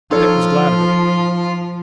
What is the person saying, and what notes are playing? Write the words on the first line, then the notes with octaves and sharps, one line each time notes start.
Dick was glad of it.
F3 D#4 F4 A4 C#5